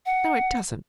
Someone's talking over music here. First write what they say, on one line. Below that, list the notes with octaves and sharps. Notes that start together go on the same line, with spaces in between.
'No, it doesn't.
F#5